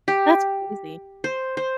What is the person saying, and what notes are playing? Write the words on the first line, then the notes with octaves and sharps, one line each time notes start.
That's crazy.
G4
C5
C5